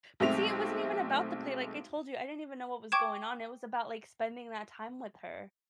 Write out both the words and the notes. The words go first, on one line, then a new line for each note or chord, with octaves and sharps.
But see, it wasn't even about the play like I told you, I didn't even know what was going on, it was about, like, spending that time with her.
B1 G#3 A3 C4 E5 F7
G5 C#6 D6 G#6 D7 E7